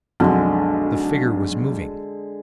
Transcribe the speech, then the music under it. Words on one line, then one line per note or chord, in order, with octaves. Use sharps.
The figure was moving.
B1 F2 D3 G#3